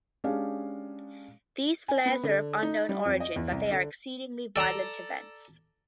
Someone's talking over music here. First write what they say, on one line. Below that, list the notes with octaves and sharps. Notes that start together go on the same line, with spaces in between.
These flares are of unknown origin, but they are exceedingly violent events.
G#3 C#4 D4 G4 D5 F5
G#5
B3
D3
D#4
G3
F2
D#5
E2
C2
D3
A4 D5 A5 A#5